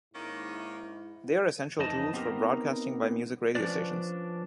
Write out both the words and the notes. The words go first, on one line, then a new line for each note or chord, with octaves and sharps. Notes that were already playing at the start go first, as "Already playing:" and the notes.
They are essential tools for broadcasting by music radio stations.
G#2 D#3 A#3 C#4 E4
F2 E3 D#4 D#5 A5
B3 C4 D#4 G4 A#4
F3 G#3 C#4 D4 B4 D5